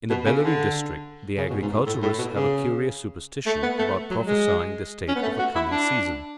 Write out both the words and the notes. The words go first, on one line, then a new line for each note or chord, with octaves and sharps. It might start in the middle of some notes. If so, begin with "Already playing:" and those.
In the Bellary district, the agriculturists have a curious superstition about prophesying the state of the coming season.
B2
C#3
D3
C#3
B2
G#2
G#2
A2
A2
B2
C#3
A3
B3
A3
F#3
G#3
C#4
B3
A3
F#4
E4
D4